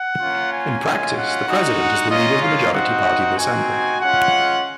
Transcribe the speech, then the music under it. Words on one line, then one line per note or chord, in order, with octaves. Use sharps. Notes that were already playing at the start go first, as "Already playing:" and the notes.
In practice, the president is the leader of the majority party in the Assembly.
Already playing: F#5
A#3 C#4 F4
G#5
G#3 C#4 F4
F#5
G#3 D#4 F#4
F#5
A#3 C#4 F4 D#5
F5
C4 D#4 F#4 F#5
C4 D#4 F#4 G#5
G#3 C#4 F4 F#5